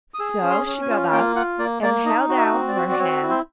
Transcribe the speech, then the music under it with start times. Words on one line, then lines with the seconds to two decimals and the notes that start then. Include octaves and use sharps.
So she got up, and held out her hand.
0.14 D#6
0.19 G#4 E6
0.43 C#4
0.51 C6
0.66 C#4
0.82 G#5
0.90 F4
1.12 A#3 G5
1.36 F4 F#5
1.59 A#3 D5
1.83 A#3 D5
2.06 D#4 D#5
2.29 F#4
2.37 E5
2.53 C4
2.68 D5
2.76 F#4
2.91 D5
2.99 C4 C#5
3.23 E4
3.30 C5